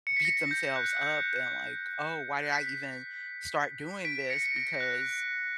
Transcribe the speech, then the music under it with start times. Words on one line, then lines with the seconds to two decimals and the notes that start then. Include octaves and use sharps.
beat themselves up and like, "Oh, why did I even start doing this? Because
0.07 C#7
0.16 B6
0.25 A#6
0.51 G6
0.76 F#6
1.02 G6
2.53 B6
4.05 B6 D7
4.30 A#6 C#7
4.56 A#6
4.80 F#6